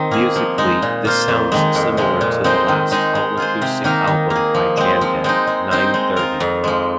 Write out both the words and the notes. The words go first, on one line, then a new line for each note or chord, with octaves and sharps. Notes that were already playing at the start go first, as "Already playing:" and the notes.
Musically, this sounds similar to the last all-acoustic album by Jandek, "Nine-Thirty".
Already playing: D#3 C4 D#4
A#3 G#4
F3
G#3 D#4
A#2
A#3 F4 C5
F2
D#3 G#3
F2
C3 F3 G#3
A#2
G#3 C4 D#4 C5
D#3
G#3 D#4 G#4
G#3
F4 G#4 C5
C3
D#3 A#3 D#4 A#4
D#3
A#3
G#4
F3
G#3 C4
F3
G#3 C4 D#4
G#3
C4 D#4 C5
G#3
F4 A#4
F2
F3 G#3